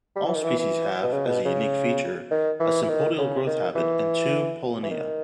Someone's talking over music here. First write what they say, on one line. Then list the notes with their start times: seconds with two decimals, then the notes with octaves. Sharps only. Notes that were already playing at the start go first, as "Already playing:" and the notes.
All species have, as a unique feature, a sympodial growth habit and two pollinia.
0.16 G3
0.25 E3
0.34 D#3
0.43 E3
0.59 E3
1.03 B2
1.14 C#3
1.26 B2
1.45 C#3
2.31 D#3
2.59 E3
2.83 E3
2.89 D#3
3.18 C#3
3.47 D#3
3.75 E3
4.83 E3
4.90 D#3